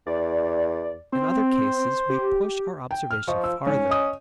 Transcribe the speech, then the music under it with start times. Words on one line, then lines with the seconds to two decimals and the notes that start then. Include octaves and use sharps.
In other cases we push our observation farther.
0.07 E2 D5
1.13 C4 C5
2.10 G4
2.91 G5
3.11 F6
3.28 F3 F4 D#5 C#6
3.44 E6
3.66 G#2 C#4
3.90 D#5 D#6